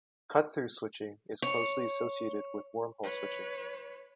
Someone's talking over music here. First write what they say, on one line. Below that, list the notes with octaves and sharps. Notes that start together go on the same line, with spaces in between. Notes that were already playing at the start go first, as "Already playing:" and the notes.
Cut-through switching is closely associated with wormhole switching.
C#5
B4 C#5